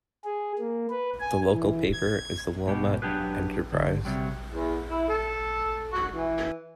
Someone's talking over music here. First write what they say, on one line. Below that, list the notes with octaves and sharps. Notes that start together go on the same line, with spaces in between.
The local paper is the Wilmot Enterprise.
G#4
A#3
B4
G#5
E3
G#6
G#2 B2 G4
F#3 D4 G4 G#4 B4
D3
C3 F#3 G3
E2
E4
A4
F#4
E3